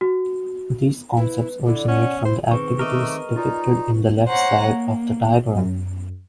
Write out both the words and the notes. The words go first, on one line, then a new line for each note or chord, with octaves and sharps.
These concepts originate from the activities depicted in the left side of the diagram.
F#4
E4 B4
D3 E4 D5
C#4 F#5
E4 C5
D#3 C4 G#4 B4 C#6
A3 A#4 D#5 D6 E6
D#4 F4 D5 G#5
C5 C#5 F#5 A#5
A#3
F#2